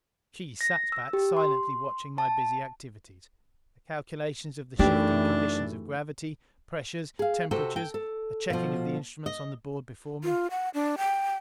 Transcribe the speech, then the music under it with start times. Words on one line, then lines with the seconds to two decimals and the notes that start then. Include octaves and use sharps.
She sat back, silently watching my busy activities: the calculations of the shifting conditions of gravity, pressures, temperatures; a checking of the instruments on the board before me.
0.61 A#6
0.92 E6
1.13 G4
1.37 C6
2.18 A5
4.79 F#2 E3 A3 D4 D#4 G4
7.19 G#4 F5
7.51 C3 F#4 A4 C5 G5
7.76 G5
7.94 A4
8.50 B2 F3
9.26 D#5
10.24 F4
10.51 F#5
10.74 D4
10.98 G5